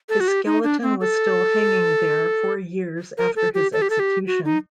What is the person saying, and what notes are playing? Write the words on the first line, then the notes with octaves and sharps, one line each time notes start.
His skeleton was still hanging there four years after his execution.
A4
F#4
G4
D#4
D4
C4
A4
A#4
A4
G4
A4
G4
A4
G4
F#4
D#4